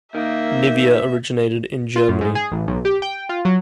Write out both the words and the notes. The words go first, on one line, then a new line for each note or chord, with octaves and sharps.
Nivea originated in Germany.
D#3 A#3 E5
F4
F#2
G#2
G#4
A1
B1
G4
G5
F4
F#3